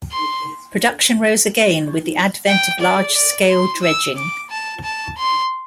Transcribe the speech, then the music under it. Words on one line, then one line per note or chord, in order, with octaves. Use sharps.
Production rose again with the advent of large-scale dredging.
C6
G5
D5
D5
C6
E6
D6
A5
A5
C6